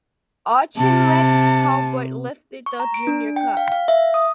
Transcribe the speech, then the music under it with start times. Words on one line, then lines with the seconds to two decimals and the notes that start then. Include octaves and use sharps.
Auchinleck Talbot lifted the Junior Cup.
0.78 C3 A5
2.66 C#6
2.80 A#5
2.94 D7
3.07 D4
3.36 G5
3.57 F5
3.72 F5
3.88 E5
4.14 D#6